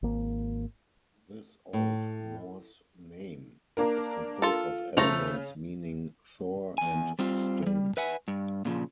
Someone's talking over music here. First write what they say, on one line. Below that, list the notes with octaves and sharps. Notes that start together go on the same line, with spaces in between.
This Old Norse name is composed of elements meaning "Thor" and "stone".
G#1 A#3
A2
A#3 D4 A#4
F4 A4
C#3 F3 A3 A#5 F7
E2 G#5
G3 C4 F4
E3 G3
B4 E5 F#5 G#5
G2
A#2 C#3 F3